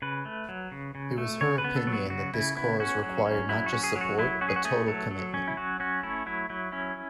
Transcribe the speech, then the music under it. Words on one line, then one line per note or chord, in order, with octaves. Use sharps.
It was her opinion that this cause required not just support but total commitment.
C#3 B4
A3
F#3
C#3
C#3
A3
C#3 C#5
B4
B3
A4
F#3
F#4
C#3 F#4
C#3 E4
B3 E4
C#4 F#4
F#3
C#4
F#3 E4
F#4
C#4
G#4
F#3
F#4
F#3 E4
C#4 F#4
G#4
F#4
A3 G#4
F#3 A4
F#3
C#4
E4
F#3 F#4
C#4 F#4
A3 E4
F#3 E4
F#3 E4
C#4 E4